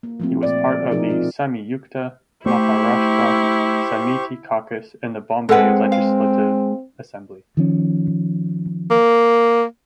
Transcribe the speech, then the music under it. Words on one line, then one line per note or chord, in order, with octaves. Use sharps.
He was part of the Samyukta Maharashtra Samiti caucus in the Bombay Legislative Assembly.
A#3
F3 A3 C4
A#2 D5
B2 F3 D#4 G#4 A#4
C4 F4 G#4
A3 E4 G4 C5 C#6
G#3 C4 A4 B4 F#5
F5
D#3 F3 C#4
A#3